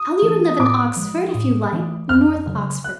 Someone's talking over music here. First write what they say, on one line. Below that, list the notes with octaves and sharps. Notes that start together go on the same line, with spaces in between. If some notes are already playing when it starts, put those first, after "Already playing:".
I'll even live in Oxford if you like--North Oxford.
Already playing: D#6
E3 A3 D4
A2 D6
F3 G#3
A2
E3 A3
F2 F6
C#3 F#3
F#6